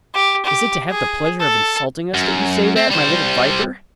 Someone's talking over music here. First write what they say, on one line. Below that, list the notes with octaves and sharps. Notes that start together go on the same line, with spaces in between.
"Is it to have the pleasure of insulting us that you say that, my little viper?"
G4
G4
G#4
A4
F#2
C4
G3 C5